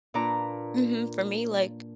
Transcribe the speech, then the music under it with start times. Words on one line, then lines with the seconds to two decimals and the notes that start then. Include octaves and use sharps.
Mhm, for me, like
0.14 A#2 A#3 D4 B4 D5 A#5